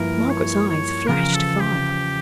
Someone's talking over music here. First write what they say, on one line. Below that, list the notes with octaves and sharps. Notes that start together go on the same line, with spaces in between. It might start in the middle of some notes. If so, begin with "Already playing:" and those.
Margaret's eyes flashed fire.
Already playing: G2 F3 A#3 E4 A#4
C#5
C#5
E2 C#3 F3 A#4
A4
G4